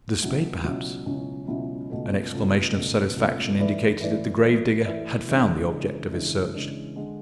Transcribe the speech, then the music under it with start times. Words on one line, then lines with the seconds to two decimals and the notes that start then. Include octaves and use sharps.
"The spade, perhaps." An exclamation of satisfaction indicated that the grave-digger had found the object of his search.
0.22 C#2 B2 F#3 C#4 E4
0.63 C#2 B2 F#3 C#4 E4
1.06 C#2 B2 F#3 C#4 E4
1.48 C#2 B2 F#3 C#4 E4
1.90 C#2 B2 A3
2.32 C#2 B2 A3
2.74 C#2 B2 A3
3.16 C#2 B2 A3
3.59 E3 A3 E4 B4 D5
4.01 E3 A3 E4 B4 D5
4.43 E3 A3 E4 B4 D5
4.85 E3 A3 E4 B4 D5
5.28 C#3 E3 G#3 D4
5.69 C#3 E3 G#3 D4
6.12 C#3 E3 G#3 D4
6.54 C#3 E3 G#3 D4
6.96 D3 G#3